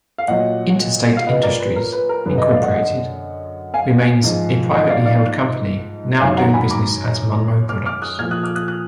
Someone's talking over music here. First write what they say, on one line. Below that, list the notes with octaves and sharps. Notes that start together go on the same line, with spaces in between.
Interstate Industries, Incorporated remains a privately held company, now doing business as Monroe Products.
F5
A#2 F#3 D#5 F#5
F5
B4 D#5
A#4 D5
B4
A#4
B4
A#4
F#2 D3 F#3 B4
B4 D#5
D5 F5
D#5 F#5
D#5 F#5
F5 G#5
G#2 F3
D#5 F#5
D5 F5
D5 F5
F#2 D#3 F#3 F5 G#5
F#5 A#5
G#5 B5
A#5 D6
D6 F6
D6 F6
D#6 F#6
A#2 F3 F6 G#6
D#6 F#6
D6 F6
D#6 F#6
D#6 F#6